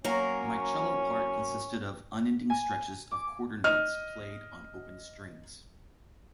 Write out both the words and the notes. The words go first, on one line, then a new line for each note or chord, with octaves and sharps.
My cello part consisted of unending stretches of quarter notes played on open strings.
F#3 A#3 C#4 A#4
G#5
D6
D#5 F6